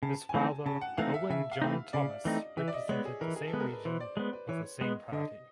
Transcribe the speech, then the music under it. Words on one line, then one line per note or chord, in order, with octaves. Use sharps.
His father Owen John Thomas represented the same region for the same party.
C#3 A5
G#5
E3 A3 C4 D#4 A5
C#3 A5
F#5
E3 A3 C4 D#4 F5
E5
C#3 E5
F5
E3 A3 C4 D#4
C#3 D5
E3 A3 C4 D#4 D#5
E3 E5
D5
D#5
G#3 B3 C#5
G#4
E3 A#4
G#4
A4
G#3 B3
A#4
B4
E3 C5
D5
G#3 B3 C5
B4
E3 C#5
G#3 B3 D#5
D3 D#5